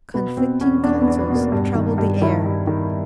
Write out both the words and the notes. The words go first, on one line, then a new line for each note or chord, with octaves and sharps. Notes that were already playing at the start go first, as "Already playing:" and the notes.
Conflicting counsels troubled the air.
B2 B3
B2 C4
E2 C#4
E2 D4
B3
E2
B3
B2 A#3
G2
D#3
G2
D#3 E4
G2
D#3